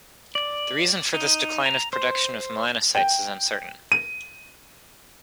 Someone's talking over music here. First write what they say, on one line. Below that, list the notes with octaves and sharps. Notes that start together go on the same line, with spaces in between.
The reason for this decline of production of melanocytes is uncertain.
D5
D#4
A#5
C5
G5
D#7